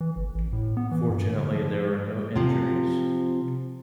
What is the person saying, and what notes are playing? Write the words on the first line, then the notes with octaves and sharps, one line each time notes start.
Fortunately, there were no injuries.
E3
G1
A1
A2
B3
E3
G2
D3
F3
C3 F3